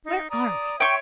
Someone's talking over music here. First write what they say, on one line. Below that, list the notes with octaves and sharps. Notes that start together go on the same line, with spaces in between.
Where are we?
D#4
D5 A#5 D#6
C#5 E5 G5 C6 C#6